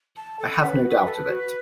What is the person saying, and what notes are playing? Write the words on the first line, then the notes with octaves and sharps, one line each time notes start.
I have no doubt of it.
A5
A4
C#4 B4
F#4
A4
F#4